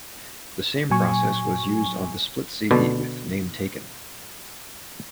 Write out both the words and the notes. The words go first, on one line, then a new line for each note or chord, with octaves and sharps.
The same process was used on the split CD with Name Taken.
A#2 F#3 G#5 C#6
B2 D3